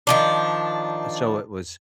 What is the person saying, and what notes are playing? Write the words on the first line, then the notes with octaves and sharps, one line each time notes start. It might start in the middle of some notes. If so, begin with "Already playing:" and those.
Uh, so it was
D#3 F3 D4